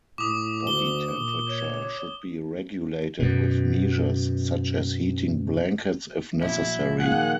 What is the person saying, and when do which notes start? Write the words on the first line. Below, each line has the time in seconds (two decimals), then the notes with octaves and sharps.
Body temperature should be regulated with measures such as heating blankets if necessary.
0.18 A2 D6 D#6
0.67 D2 G7
1.18 A#2
1.48 C#5
3.19 F#2 B2
6.41 A#2 F3 F#3 E4
7.00 D#3 A#3 G#4 F#5